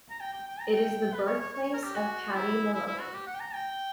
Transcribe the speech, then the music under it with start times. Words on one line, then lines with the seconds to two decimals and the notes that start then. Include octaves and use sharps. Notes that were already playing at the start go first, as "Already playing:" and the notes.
It is the birthplace of Patty Maloney.
0.10 A#5
0.20 G5
0.33 G5
0.48 G5
0.60 A#5
0.73 G5
1.13 B4
1.27 C#5
1.40 C#5
1.53 C#5
1.63 C#5
1.74 A#4
1.84 G4
1.94 F#4
2.34 E4
2.74 E4
2.87 E4
3.00 F#4
3.13 G4
3.27 F#5
3.35 G5
3.40 A#5
3.54 G5